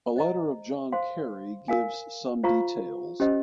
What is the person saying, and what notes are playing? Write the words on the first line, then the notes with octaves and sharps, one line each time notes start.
A letter of John Carey gives some details.
C5 D#5 A#5
C5 F5 C6
A#4 F5 G#5
F4 C5 F5 A#5 C#6
C#4 G4 C5 D#5